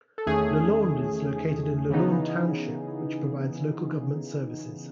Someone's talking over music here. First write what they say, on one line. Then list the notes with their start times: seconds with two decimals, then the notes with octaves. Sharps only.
Leland is located in Leland Township, which provides local government services.
0.18 A4
0.27 E2 D#3 A3 C#4 G#4
1.90 C#3 E3 B3 D#4